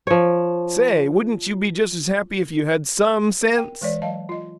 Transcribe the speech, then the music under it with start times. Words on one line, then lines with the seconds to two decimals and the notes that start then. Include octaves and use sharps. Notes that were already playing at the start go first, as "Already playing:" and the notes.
"Say, wouldn't you be just as happy if you had SOME sense?"
0.07 F3 C#5
3.53 A#4 G5
3.81 E3 G#3 C#5 D5
4.02 F#3 D#5 F5 A5
4.29 F4 D#5